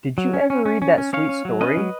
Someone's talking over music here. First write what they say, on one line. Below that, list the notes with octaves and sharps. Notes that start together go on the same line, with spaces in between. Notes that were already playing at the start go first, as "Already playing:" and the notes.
Did you ever read that sweet story?
F#3
C#4
C#4
C#4
C#4
C#4
C#4 C#5 F5
C#4
F#3
C#4 B4 D#5
F#3